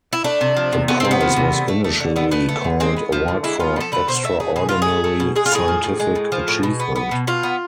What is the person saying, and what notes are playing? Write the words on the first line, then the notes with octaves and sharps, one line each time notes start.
The prize was initially called "Award for Extraordinary Scientific Achievement".
E4
A3 D4
C3
F3
C3
A3 B3
C3 C4
B3
F3
C3
D3
A3
A3
D3
D3 B3
A3 B3
A3
D3
G#3 C4
B3
F3
D3
G#3 E4
B3 F4
F3 A4
D3 B4
B2 C5
A3 E5
A3 G#4
B2 G#4
B2 F4
G#4
A3
A3
B2
G#3 G#4
F4
A2 G#4
F3
A2
G#3
A2
F3
A2
B2
B3
B3
B2
B2 F4
B3